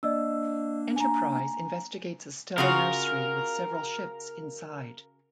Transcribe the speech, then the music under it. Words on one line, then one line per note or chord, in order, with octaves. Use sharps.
"Enterprise" investigates a stellar nursery with several ships inside.
A#3 D4 D5 D#5 E6
G#5 A#5
C#3 F4 F#4 A#4